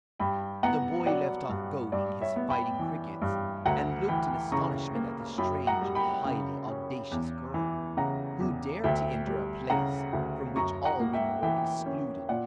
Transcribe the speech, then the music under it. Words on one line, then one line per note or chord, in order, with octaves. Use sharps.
The boy left off goading his fighting crickets, and looked in astonishment at this strange and highly audacious girl, who dared to enter a place from which all women were excluded.
G2 G5 B5
B3 F#5 A#5
F#3 D5 F#5
G2
G2 D5
C#5 E5
B3
G5 B5
E3
G2
D2 F#5 A#5
E3 G5 B5
C#3 A#5 C#6
A#3
F#2 G5 B5
F#5 A#5
G3
G5 B5
C#3
C#4
E2
E3
C#3 F#5 A#5
E2
D2 E5 G5
G3
C#3 F#5 A#5
D2
F#2 A#5 C#6
F#5 A#5
A#3
E5 G5
E3 E5 G5
C#4
A#2 D5 F#5